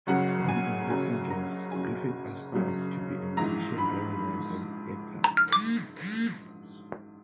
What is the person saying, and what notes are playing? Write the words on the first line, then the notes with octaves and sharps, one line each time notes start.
Born in Los Angeles, Griffith aspired to be a musician rather than an actor.
F#1 F#2 C#3 F#3 F#5
G#5
F#1 F#2 C#3 F#3 G#5
A#5
F#1 F#2 C#3 F#3 G#5
F#1 F#2 C#3 F#3
A#1 G#2 E3 A#5
B5